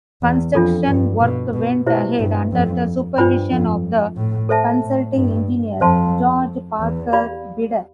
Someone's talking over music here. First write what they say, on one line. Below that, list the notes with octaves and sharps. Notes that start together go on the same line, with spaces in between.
Construction work went ahead under the supervision of the Consulting Engineer, George Parker Bidder.
E2
F2 D4 F4 A4
G2
B2
B2
B2 E4 G4 C5 E5
G2
F2
G2 D4 F4 C5 G5 B5
F2
A2
A4 C5 E5 A5
A2
G2
F2 C5 F5 A5 C6
E2
G4 D5 F5 B5